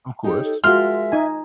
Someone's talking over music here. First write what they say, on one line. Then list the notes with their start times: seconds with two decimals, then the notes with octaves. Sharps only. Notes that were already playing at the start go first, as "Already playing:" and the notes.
Of course.
0.24 D#4 G4 G#4 C#5
0.44 A4
0.64 G#3 F4 F#4 A#4 E5 C6 F6
1.12 D#4 G#5